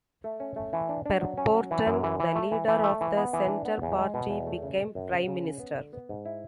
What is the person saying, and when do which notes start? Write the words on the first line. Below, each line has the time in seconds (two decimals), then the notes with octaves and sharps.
Per Borten, the leader of the Centre Party, became Prime Minister.
0.24 A3
0.40 C#4
0.56 A3
0.73 E3
0.89 D4
1.06 D4
1.21 F#3
1.38 C#4
1.54 F#3
1.71 E3
1.86 F#2
2.03 E3
2.20 E3
2.35 A3
2.52 E3
2.68 E3
2.84 A3
3.01 E3
3.17 B3
3.33 E3
3.48 D4
3.65 B3
3.82 E2
3.98 G#3
4.14 B2
4.30 E2
4.47 A3
4.63 C#3
4.79 G#3
4.95 F#2
5.12 C#3
5.27 C#3
5.44 C#4
5.60 B3
5.77 D3
5.93 B3
6.09 G#2
6.25 E4